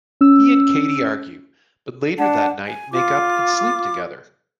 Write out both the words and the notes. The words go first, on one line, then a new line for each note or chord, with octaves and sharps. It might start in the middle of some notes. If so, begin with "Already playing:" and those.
He and Katie argue, but later that night make up and sleep together.
C#4 E6
D4 F#5 A5
G#5
F4 D6